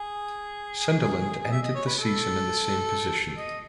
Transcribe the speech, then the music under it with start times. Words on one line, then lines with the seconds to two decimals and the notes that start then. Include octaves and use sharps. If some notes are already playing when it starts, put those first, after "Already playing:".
Sunderland ended the season in the same position.
Already playing: G#4
1.51 E5
1.62 D#5
1.75 C#5
1.86 B4
1.98 A4
3.37 D#5